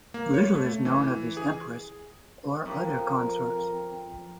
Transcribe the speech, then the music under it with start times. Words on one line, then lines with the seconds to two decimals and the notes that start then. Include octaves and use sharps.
Little is known of his empress or other consorts.
0.14 A#3
0.34 C#5
0.55 A3
0.85 E3
1.37 G#4
2.66 F2 A#4